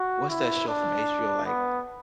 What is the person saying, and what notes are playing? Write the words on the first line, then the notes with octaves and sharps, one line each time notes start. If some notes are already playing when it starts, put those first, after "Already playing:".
what's that show from HBO, like
Already playing: F#4
E4
D4
B3